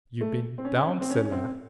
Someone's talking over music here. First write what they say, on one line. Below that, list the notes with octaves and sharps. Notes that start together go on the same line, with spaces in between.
"You been down cellar?"
A3
C4
C#4
C#4
C4
C4
C#4
C#4
C4